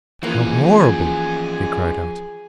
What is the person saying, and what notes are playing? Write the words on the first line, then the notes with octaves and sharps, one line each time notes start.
"How horrible!" he cried out.
E3 F3 A#3 C#4 G#4 G#5